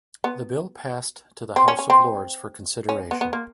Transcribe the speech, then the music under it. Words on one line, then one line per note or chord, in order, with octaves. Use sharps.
The bill passed to the House of Lords for consideration.
B3
C4
C#4
C#4
C4
C#4
B3
B3
A#3